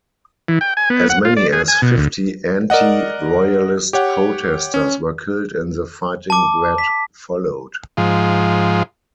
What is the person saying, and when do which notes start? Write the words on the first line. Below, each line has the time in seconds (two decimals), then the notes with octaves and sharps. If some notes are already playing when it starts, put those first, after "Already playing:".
As many as fifty anti-royalist protesters were killed in the fighting that followed.
0.48 E3
0.61 G5
0.77 G#5
0.90 B3
1.09 F#5
1.25 F4
1.37 D5
1.52 G#4
1.68 G#5
1.82 B2
1.97 D2
2.70 A#4 D5 D#5 F#5
3.93 G4 C#5 F#5
4.74 C#4
6.30 A5 D6
6.78 B6
7.97 G#2 F3